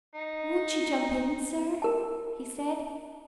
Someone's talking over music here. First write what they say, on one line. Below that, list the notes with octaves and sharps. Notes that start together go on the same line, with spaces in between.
"Won't you jump in, sir?" he said.
D#4
A#4 A5